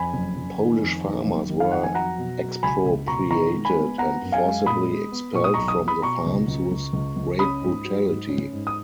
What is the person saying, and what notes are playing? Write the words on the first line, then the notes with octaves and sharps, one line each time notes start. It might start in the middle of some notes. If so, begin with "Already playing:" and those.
Polish farmers were expropriated and forcibly expelled from the farms with great brutality.
Already playing: F2 G#5 B5
F#1
F#1
D#3
F2
D#3
F#1
D#3
F5
F2 F#5
G#5
F#3 F#5 A#5
B2
F#3
C#2 G#5 B5
C#2
B2 A#5 C#6
D#3 A#5 C#6
G#3
G#5 B5
B3
B3 F#5 A#5
F#2
F5 G#5
G#3
A#2 B5 D#6
G#3
B3
A#2 C#6
D#6
B1 A#5 C#6
D#6
B3
B5 D#6
B2 A#5 C#6
C#2
C#2
C#2
C#2
C#2
C#4 B5 D#6
G#2
F#3
G#2
C#4
G#2
D#6